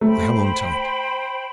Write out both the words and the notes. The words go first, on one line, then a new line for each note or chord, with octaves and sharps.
I hung on tight.
A3 C5 G5 B5